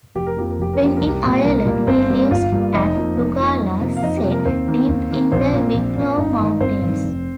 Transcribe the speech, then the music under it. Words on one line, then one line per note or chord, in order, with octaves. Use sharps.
When in Ireland, he lives at Luggala set deep in the Wicklow Mountains.
F1 G4
A#4
F2 F3 A#3 G4
A#4
F1 G4
A#4
F2 F3 A#3 G4
C2 A#4
G4
A#2 G3 A#3
C2 A#4
A#2 G3 A#3
G1 C4 C5
G2 G3 A#3
G1 F4 F5
G2 G3 A#3
F1 D#4 D#5
F2 F3 A#3
F1
F2 F3 A#3
F2
C3 F3 A#3
F5
F2 D#4 D#5
G4
C3 F3 A#3
A#4
D#2 C4 C5
D#3 A#3
D#2
D#3 A#3
A#1 C4 C5
A#2 A#3
A#1
A#2 A#3
G1 D#4 D#5
G2 D#3
G1 C4 C5
G2 D#3
F1